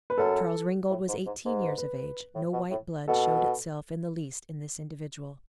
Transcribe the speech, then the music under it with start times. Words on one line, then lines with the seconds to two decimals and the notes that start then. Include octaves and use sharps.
Charles Ringgold was eighteen years of age; no white blood showed itself in the least in this individual.
0.10 B4
0.18 F#2 A4
0.90 A2
1.08 G#2
1.26 G#2
1.45 G#2
1.63 B4
1.78 B4
2.35 A2
2.53 B2
2.71 A2
3.08 B2 A4